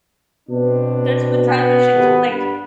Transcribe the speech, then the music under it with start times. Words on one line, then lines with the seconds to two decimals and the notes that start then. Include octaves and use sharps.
There's been times where she's like
0.48 B2 C4 D4
1.48 B3
1.92 G#1 C3 A3
2.26 G2 B4